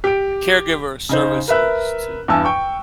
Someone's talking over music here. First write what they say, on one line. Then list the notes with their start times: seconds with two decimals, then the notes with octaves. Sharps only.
caregiver services to
0.04 G4 D7
1.09 C#3 D#4 C5
1.48 A#4 B4 E5 F#6
2.28 E2 G2 E3 G#5 A5 E6
2.45 G5 C#6